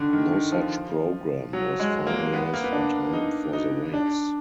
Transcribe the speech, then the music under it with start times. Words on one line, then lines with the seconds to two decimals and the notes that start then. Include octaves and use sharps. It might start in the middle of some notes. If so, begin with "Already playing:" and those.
No such program was finalized in time for the race.
Already playing: D3 D#3
0.13 D#3
0.32 D#3
0.52 F3
1.53 F#3
1.80 G#3
2.07 A#3
2.33 B3
2.54 A#3
2.64 B3
2.72 D4
3.13 D#4
3.53 D#4
3.94 D4